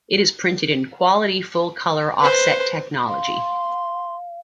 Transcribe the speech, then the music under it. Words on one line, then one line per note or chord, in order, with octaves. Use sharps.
It is printed in quality full colour offset technology.
B4 C5
F5 C6